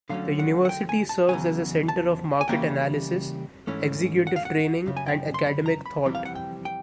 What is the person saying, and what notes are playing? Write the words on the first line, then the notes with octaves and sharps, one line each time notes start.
The university serves as a centre of market analysis, executive training and academic thought.
D3 F#3 A3 C#4 F5
F#5
F#5
G5
G#5
A5
E2 C#3 F#3 G#5
A5
G#5
C#3 E3 G3 A#3 C#4 G5
G#2 E3 A3 C#4
F#5
F5
F#5
F#2 C#3
G#5
G5
C6
B5
A#5
B5
F2 C3 E3 G3 C4
F5
F#5
G5
G5